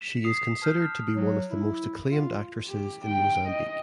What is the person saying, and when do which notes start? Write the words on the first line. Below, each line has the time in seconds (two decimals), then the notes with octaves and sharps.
She is considered to be one of the most acclaimed actresses in Mozambique.
0.01 B6 E7
0.24 D#6 C7 F7
0.62 A5 D#6 F6 G6
0.82 F6
1.16 F#3
1.51 E4
2.11 F4
2.68 G4
3.06 G5
3.48 D#5